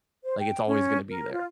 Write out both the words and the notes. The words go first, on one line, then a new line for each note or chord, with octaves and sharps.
Like, it's always gonna be there.
C5
G5
C#4
A#4
F4